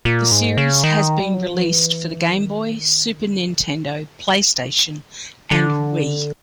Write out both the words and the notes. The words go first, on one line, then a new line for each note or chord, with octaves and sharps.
The series has been released for the Game Boy, Super Nintendo, PlayStation, and Wii.
A#2
G#2
C#3
D#3
G3
F#3
F3
E3
D#3
D3
D3